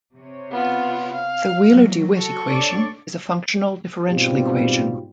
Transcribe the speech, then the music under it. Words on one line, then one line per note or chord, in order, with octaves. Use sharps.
The Wheeler-DeWitt equation is a functional differential equation.
C3 C#5
B3 F4
F5
E3 F#3 A#3
F#4 A4 C#6
D4 C#5 D5
G#2 B2 G3 C4 F4 G4